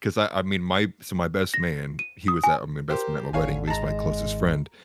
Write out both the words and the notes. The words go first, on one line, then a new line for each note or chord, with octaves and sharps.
'Cause I I mean, my so, my best man, he was at my best man at my wedding, but he's my closest friend.
A#6
D#7
D#6
G#5
G4 A#4 C5
G#1 D3 C#5 F5 G#5
G#3 A5 A#5